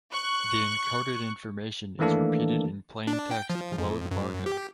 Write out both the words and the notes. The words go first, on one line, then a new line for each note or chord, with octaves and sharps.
The encoded information is repeated in plain text below the barcode.
C#6 F#6
D#3 E3 A3 A#3 D4 A4
D4
G5
F3
F2
F#2
G4